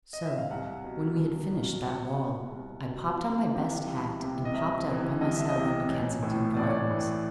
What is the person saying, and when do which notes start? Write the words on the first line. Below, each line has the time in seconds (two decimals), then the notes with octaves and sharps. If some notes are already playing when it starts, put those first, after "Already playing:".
So, when we had finished that wall, I popped on my best hat, and popped out by myself into Kensington Gardens.
0.13 D#5
0.26 E5
0.38 F5
0.51 C2 F#5
0.84 B2
1.17 C2
1.51 B2
1.84 C2 F#5
2.19 B2
2.52 C2
2.86 B2
3.20 C2 F5
3.54 C3 E3
3.86 C2
4.20 C3 E3
4.45 D#5
4.54 C2 E5
4.88 C3 E3
5.21 C2 D#5
5.35 E5
5.49 D#5
5.56 C3 E3
5.88 A1
6.22 A2 E3
6.57 A1 D5
6.64 C#5
6.70 D5
6.90 A2 E3